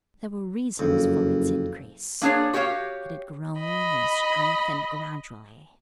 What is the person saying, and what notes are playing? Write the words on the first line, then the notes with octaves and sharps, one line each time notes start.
There were reasons for its increase; it had grown and strengthened gradually.
F#1 F2
A#3 D4 G#4 C#5 D5
F#4 G4 C#5 D#5 F5
D#5 B5